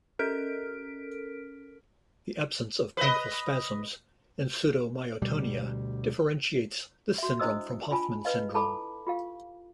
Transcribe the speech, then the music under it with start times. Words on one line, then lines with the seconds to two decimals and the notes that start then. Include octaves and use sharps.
The absence of painful spasms and pseudomyotonia differentiates this syndrome from Hoffmann syndrome.
0.19 C#4 A4 A#4 F6 B6 D7
2.97 B4 D#5
5.22 D2 B2 G3
7.18 F#4 E5
7.39 D4 E4 C5 D#5 D#6 E6
7.91 D4 F4 G#5 A5 B5
8.25 B4 D#5 F5
8.54 E4 A4 A5 B5 D6
9.07 F4 G4 F5